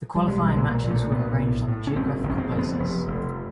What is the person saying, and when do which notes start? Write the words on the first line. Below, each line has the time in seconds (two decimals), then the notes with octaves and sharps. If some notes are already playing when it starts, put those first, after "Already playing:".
The qualifying matches were arranged on a geographical basis.
0.16 G3
0.28 B1 G#3
0.48 G#3
0.56 A#2
0.70 A#3
0.84 A#2
0.91 A3
1.11 B1 B3
1.40 A2
1.68 A2
1.87 C#4
1.96 F#1 C4
2.24 F#1
2.30 C#4
2.38 C4
2.52 F2
2.58 B3
2.80 F1
3.07 F1